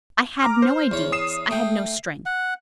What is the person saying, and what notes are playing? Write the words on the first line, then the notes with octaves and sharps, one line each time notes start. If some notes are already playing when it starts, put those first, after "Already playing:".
I had no ideas; I had no strength.
A#5 D6 F6
C5
E2 C#5
D#6 C7 E7
A3 G5
F#5